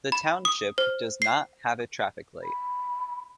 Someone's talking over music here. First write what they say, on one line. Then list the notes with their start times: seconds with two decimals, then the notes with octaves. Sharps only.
The township does not have a traffic light.
0.12 B5
0.45 D#6
0.78 C5
1.22 C7
2.43 B5